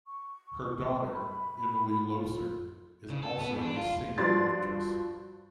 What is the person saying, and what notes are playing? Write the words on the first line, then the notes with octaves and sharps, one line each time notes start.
Her daughter, Emily Loesser, is also a singer-actress.
C#6
B5
F4
C#3
A4
B3
E2
D4
F4
G2 F3 F#4 D5 C6 A6